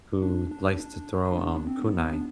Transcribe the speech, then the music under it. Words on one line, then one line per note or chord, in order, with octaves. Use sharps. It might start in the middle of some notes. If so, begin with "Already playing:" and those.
who likes to throw, um, kunai,
D4
D4
D4
B3
B3
D4
C4
B3
D4